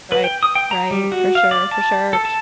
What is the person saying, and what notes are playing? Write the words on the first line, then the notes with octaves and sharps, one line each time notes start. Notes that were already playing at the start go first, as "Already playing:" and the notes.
Right, right, for sure, for sure.
B4
G5
D#6
G5
A#5
G3
F#4
F5
D5
A5
A4
A5